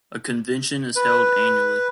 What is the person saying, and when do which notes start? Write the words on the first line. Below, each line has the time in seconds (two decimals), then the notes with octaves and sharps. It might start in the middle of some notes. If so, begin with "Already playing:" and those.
A convention is held annually.
0.96 B4